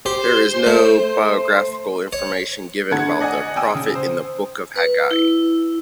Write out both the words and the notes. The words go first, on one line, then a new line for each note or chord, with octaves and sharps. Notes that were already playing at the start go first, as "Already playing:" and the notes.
There is no biographical information given about the prophet in the Book of Haggai.
G4 C5
A3
C#5
D3 A3 F#5 A5 G#6
D5 D#5 F#5 G#5
G5 G#5 D#6 E6
C#3
C5
B4
E4